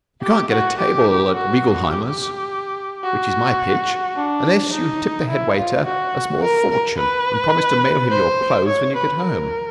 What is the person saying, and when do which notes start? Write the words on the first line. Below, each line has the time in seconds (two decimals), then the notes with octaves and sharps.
You can't get a table at Reigelheimer's, which is my pitch, unless you tip the head waiter a small fortune and promise to mail him your clothes when you get home.
0.22 G4
0.50 F#4
0.79 G4
1.35 F#4
1.91 G4
3.03 F#4
4.16 D4
4.72 D#4
5.29 E4
5.57 F4
5.85 F#4
6.42 A#4
6.71 A#4
6.98 B4
8.10 C5
8.67 C#5
8.95 B4
9.24 A#4